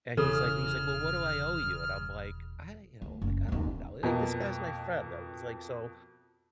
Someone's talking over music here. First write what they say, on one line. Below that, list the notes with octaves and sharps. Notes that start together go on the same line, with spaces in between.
And, he's like he's like, "Well, what do I owe you?" And I'm like, "I" you know, like, "I don't know," like, this guy's my friend, I was like so,
E1 C#3 E3 A4 F6
D2
F#1
D#1 D#3
F2 B2 A#3 D#5